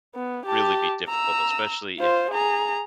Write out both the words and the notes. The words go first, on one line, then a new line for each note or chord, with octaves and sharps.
really be difficult, especially if,
B3
G4 A5
A#5 E6
F4 C5
G#4 A#5